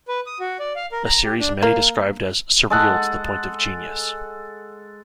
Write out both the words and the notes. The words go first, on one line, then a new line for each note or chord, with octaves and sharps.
A series many described as "surreal to the point of genius".
B4
D#6
F#4
D5
F5
A#4
A#5
G4
D4
A#3
G#3 A4 F#5